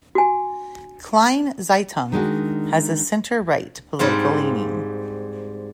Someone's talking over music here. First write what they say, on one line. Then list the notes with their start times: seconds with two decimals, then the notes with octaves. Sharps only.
"Kleine Zeitung" has a center-right political leaning.
0.15 F#4 G#5
2.12 D#3 G#3 D4 F#4
3.99 G#2 G3 C4 F5